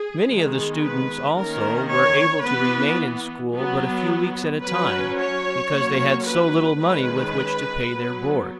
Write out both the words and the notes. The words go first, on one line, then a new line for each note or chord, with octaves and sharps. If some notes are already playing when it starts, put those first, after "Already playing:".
Many of the students, also, were able to remain in school but a few weeks at a time, because they had so little money with which to pay their board.
Already playing: G#4
D#3 G#3 B3
B4
D#3 A#3 C#4 A#4
C#5
E3 B3 B4
F#3 B3
F#3 C#4 B4
C#5
F#3 A#3 C#4
B4
D#3 G#3 C#4 B4
F#3 B3